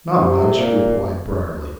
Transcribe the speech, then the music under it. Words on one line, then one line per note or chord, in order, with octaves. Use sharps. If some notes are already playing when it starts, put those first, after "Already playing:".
"Not much," replied Briarly.
C3
A#2